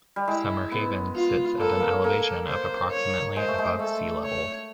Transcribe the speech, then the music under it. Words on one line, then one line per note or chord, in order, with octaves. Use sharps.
Summerhaven sits at an elevation of approximately above sea level.
G3
G#3 E4
B3
F4
A#3 A4
B3
A#3
A#3 A4
C5
C#5
G#3 C5
A3
G#3
A3 A4
C#5